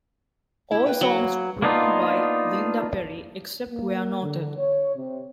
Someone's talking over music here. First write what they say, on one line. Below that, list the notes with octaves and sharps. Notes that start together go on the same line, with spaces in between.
All songs written by Linda Perry, except where noted.
E4 G4
A#3 B4 G5
F#3
A#3
A#3 B3 D4 D#4 F4
A#3
D3
C#5
C3